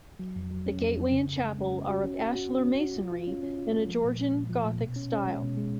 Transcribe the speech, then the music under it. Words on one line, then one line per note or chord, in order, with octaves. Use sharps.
The gateway and chapel are of ashlar masonry in a Georgian Gothick style.
F#3
F2
F#3
C#4
F2
F2
C#3
C#3
G#3
C#4
C#4
F#4
C#4
C#4
F#4
C#4
C#4
F#4
F4
F4
C#4
C#4
F4
G#3
F3
A#2
A#2
A#2
F3
A#2
B2
C#4
C#4
G#3
B2
G#3